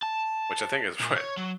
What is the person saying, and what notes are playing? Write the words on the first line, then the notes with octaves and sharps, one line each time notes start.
Which I think is what
A5
A#2
C#5
F#3